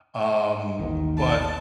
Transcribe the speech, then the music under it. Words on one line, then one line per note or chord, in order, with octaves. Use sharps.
um, but
A1 D#2 D#3
A5